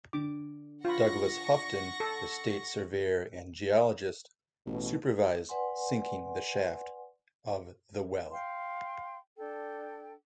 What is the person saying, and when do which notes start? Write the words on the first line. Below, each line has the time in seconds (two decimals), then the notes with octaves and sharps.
Douglass Houghton, the state surveyor and geologist, supervised sinking the shaft of the well.
0.13 D3 D6
0.85 F4 F#5 B5 C#6 A#6
2.00 A4
4.66 A1 B2
5.49 B4 D5 F#5 G#5 C6
8.32 F5 G5 C6
9.38 D4 A4 G5